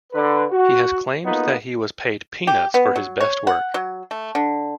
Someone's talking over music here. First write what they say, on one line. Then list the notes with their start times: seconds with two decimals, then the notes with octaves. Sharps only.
He has claimed that he was paid "peanuts" for his best work.
0.13 D3 B4
0.51 F#4
1.25 B1 A#3 B3 D#4 F4
2.47 G4
2.74 B3
2.96 F#3
3.20 C#5
3.47 F#5
3.74 F#3
4.11 A3
4.35 D3